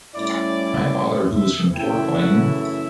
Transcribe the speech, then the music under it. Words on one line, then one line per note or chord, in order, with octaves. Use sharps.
My father who was from Tourcoing...
A2 G3 C#4 E4 D5
E5
F#2 C#3 E3 A3 E4 G5
F#5
E5